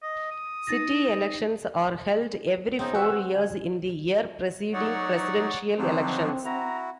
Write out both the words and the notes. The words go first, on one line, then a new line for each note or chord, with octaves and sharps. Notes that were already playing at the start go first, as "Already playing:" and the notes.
City elections are held every four years in the year preceding presidential elections.
D#5
D#6
D#4 A6 A#6
C#3 B3 C4 D#4
F#4 G#4 B4 E6
D3 G#5
F#3 D#4 C#5 D5 F#5
D3 F3 F#3 C4 D#4 C5
E4 F#4 A#5